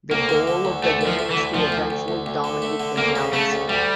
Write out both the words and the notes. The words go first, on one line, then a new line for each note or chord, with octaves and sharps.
The goal of the game is to eventually dominate the galaxy.
D2 A#3
D3
D3
D2
D2 A3
A3
F3
A3
E3
D2
D2 F3
D2
D2
D2
D2
D3
A3
D3
D2 A#3
C#3
C#3 A3
D2
D2 G3